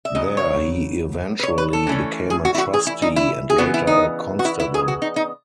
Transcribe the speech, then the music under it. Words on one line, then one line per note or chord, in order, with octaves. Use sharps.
There he eventually became a trustee, and later a constable.
E5
C#3 F#3 D#5
C#5
B4
C#5
B4
A4
E3 A3 C#4
G#4
F#4
E4
F#4
G#4
E4
D#4
E4
G#4
C#3 E3 B3 F#4
E4
D#4
F#4
E4
E4
G#4
F#4
D#4
D#4